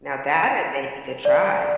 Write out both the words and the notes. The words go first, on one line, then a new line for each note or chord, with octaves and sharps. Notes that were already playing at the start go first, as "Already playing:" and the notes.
Now that I may need to try.
D5